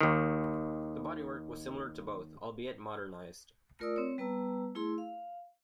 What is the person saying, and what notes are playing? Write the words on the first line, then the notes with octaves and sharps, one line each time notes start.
The bodywork was similar to both, albeit modernised.
D#2 D#3
A3 F4 A#4 D5 D#6 E6
C4 C#5
G3 B3 B4 A5 A#5 E6
A3 E4 G#4 C6 E6
F5